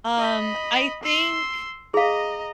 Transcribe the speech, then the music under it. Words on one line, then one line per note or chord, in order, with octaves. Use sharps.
Um, I think
D#5 B5
C6 E6
G#4 D#5 F5 A#5